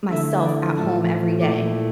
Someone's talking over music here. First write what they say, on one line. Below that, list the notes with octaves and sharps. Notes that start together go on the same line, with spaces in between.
myself at home every day,
D3 A3 E4 E5
D5
A2 F3 A3 A4
A#2 A3 E4 D5